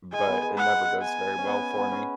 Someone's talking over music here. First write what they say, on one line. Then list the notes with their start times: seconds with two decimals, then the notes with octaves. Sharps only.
but it never goes very well for me.
0.12 G#3 G#5
0.27 B3
0.43 G#3
0.57 F#5
1.02 G#5
1.38 C#4
1.47 B3
1.77 B3
1.91 C#4